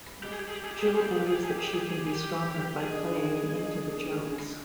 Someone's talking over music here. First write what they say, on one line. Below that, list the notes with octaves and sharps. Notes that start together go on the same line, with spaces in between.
Jill believes that she can be stronger by playing into the jokes.
G3
G#3 G4
G#4
G4
G#4
G4
G#4
G4
G#4
G4
G#4
G4
B3 G#4
G4
G#4
G4
G#4
G4
G#4
G4
G#4
G4
G#4
G4
G#4
G4
D4 G#4
D#4
D4
D#4
D#4
D4
D4
G#3
D3